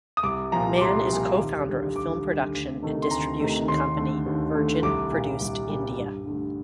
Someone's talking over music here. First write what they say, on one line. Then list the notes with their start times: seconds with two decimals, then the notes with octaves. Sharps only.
Mann is co-founder of film production and distribution company Virgin Produced India.
0.17 D#6
0.23 C2 D6
0.52 A#2 F3 A#5
0.77 D6
0.81 C2 C6
1.10 A#2 F3
1.39 D#2
1.68 D3 G3
1.96 D#2 D6
2.25 D3 G3
2.53 D2
2.82 C3 D#3 A3
3.02 C6
3.11 D2 A#5
3.40 C3 D#3 A3
3.68 D#2 C6
3.97 D3 A3
4.26 D#2
4.54 D3 A3
4.83 C2 D6
5.12 A#2 G3
5.40 C2
5.69 A#2 G3
5.98 G2
6.26 D3 A3